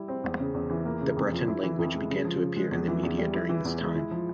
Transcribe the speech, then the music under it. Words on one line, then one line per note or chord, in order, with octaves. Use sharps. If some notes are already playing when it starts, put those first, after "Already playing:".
The Breton language began to appear in the media during this time.
Already playing: G3 E4
C4
E2
C#3
E2
E3
A#3
C#3
F2
F3
E4
E3
F2
G#3
C#3
F3
C#3
G#3
E2
E3
E2
G3
E4
E3
E2
G#3
E4
F3